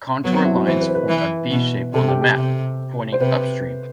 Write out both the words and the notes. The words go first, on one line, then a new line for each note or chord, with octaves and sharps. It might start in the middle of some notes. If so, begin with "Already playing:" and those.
Contour lines form a V-shape on the map, pointing upstream.
F#3 B3
C4
E4
F#4
E3 C5
B4
C5
B4
E3
B2
C3 A4
G4
G4
C3
C5
C3 B4